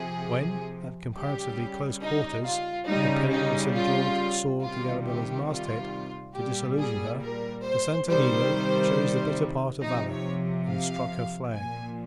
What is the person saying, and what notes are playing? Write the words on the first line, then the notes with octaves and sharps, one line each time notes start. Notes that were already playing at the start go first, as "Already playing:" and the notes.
When at comparatively close quarters the pennon of St. George soared to the Arabella's masthead to disillusion her, the Santo Nino chose the better part of valour, and struck her flag.
Already playing: C3 F3 G#4
C#3 G3 G4
D#4
F4
C#3 G3 D#4
D#4
F4
C3 D#3 G3 F4
G4
F4
A#2 G3 G4
G#4
A#4
C5
C3 D#3 G3 C5
C3 F3 D#4
C#5
F5
A#2 F3 G#5